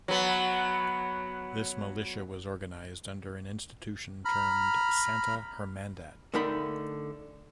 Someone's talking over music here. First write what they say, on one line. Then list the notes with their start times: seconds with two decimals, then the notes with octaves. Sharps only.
This militia was organized under an institution termed Santa Hermandad.
0.08 F#3 B3
4.25 A#5 B5 F6
6.34 D3 A3 D#4 A#4 G5 B5